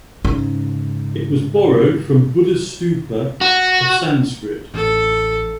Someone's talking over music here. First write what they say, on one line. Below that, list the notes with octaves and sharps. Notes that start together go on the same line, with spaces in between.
It was borrowed from "buddhastupa" of Sanskrit.
G#2 C#3
F#4
A1 A4